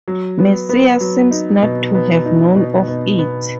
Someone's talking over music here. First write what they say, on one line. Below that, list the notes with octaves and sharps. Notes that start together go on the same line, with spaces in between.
Messier seems not to have known of it.
F#3
B3
B3
F#3
D#4
B2
B3
D#4
B2
B2
B3